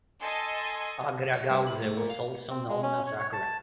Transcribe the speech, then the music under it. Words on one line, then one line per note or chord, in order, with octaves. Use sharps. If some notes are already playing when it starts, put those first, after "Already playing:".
Agra gauze was also known as Agre.
A4 D#5 G#5 A5 C6
C#4
G2
B5
A3
A#2
F5
C4
G#3
C#4
C#5
C#5
A5